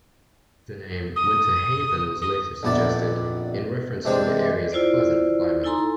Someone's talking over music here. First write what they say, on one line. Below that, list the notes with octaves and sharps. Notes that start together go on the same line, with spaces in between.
The name Winter Haven was later suggested, in reference to the area's pleasant climate.
D#6
D#6
A#1 F2 B3 E4 D5 A5
C3 E3 G#3 C4 D4 C5
E4 F4 C5 D5
D#4 E4 A4 G#5 A#5 C6